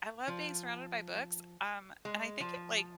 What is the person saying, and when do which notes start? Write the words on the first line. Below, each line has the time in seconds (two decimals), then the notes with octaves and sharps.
I love being surrounded by books. Um, and I think it like
0.28 F3
2.05 G#3
2.40 F3